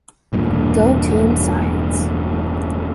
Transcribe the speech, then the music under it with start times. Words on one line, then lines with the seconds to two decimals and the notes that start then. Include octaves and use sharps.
Go team science!
0.33 E1 G2 A#2